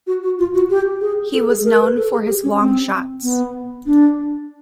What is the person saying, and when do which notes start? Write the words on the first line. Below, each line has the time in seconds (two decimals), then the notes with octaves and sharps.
He was known for his long-shots.
0.07 F#4
0.23 F#4
0.39 F4
0.54 F#4
0.70 G4
1.01 G#4
1.33 A4
1.49 G#4
1.65 A#4
1.80 B4
1.97 A4
2.12 G#4
2.28 G4
2.43 C#4
2.60 C4
3.23 B3
3.86 D4